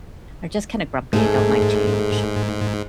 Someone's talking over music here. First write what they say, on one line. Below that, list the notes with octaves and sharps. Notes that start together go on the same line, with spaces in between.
are just kinda grumpy and don't like change.
G#2 A3 G#4